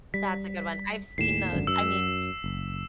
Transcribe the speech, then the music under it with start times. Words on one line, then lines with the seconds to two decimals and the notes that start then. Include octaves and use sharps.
That's a good one, I've seen those, I mean
0.14 G3 B6
1.18 D#2 A2 C7 E7
1.52 G#1 F#2 D3
1.67 F#2 E6
2.44 F#1